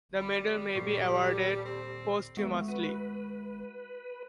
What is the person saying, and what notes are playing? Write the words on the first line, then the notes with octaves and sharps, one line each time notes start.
The medal may be awarded posthumously.
G3 B5
D#1 G4 A4 C#6 C7
C4
G#3 A3 B3 E4 F#4
F#4 B4